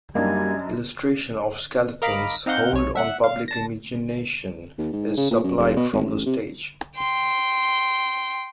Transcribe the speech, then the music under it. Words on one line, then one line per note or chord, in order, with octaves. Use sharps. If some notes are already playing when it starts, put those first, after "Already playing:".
Illustration of Skelton's hold on public imagination is supplied from the stage.
F#2 G3 A#3 D4 D#4 G#5
A#4 D#5 F5 A#5 B5 D6
C4 D#4 F5 F#5 G6
B1 C#5
E5 F#5 F#6
F5
A5 A#6
D#2
G#2
C#3
A#2
F#2
F1
B2
G#1
A1
C3
G5 C6